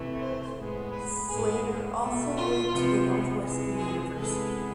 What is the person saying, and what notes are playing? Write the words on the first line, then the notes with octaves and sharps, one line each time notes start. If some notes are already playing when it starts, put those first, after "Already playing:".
Slater also went to the Northwestern University.
Already playing: C3 E3 A3
C5
A2 G#3 B3
B4
A2 G#3 B3 G#4
B2 A3
F4
C3 F3 B3
C3 E3 G#3
G#4
C3 E3 G#3 B3 A4